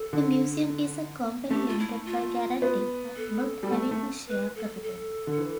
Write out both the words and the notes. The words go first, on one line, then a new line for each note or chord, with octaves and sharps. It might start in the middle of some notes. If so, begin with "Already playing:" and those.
The Museum is a company limited by guarantee and not having a share capital.
Already playing: A4
D3
A3 G4
F4
E4
F4
B3
A4
G3
A3
A3
B4
A4
A4
D3
E3